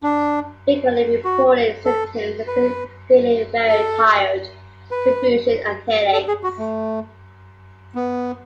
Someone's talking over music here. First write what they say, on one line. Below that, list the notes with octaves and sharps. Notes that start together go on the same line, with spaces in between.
Frequently reported symptoms include feeling very tired, confusion, and headaches.
D4
F#4
A4
B4
A4
B4
A4
G#4
F#4
A3
B3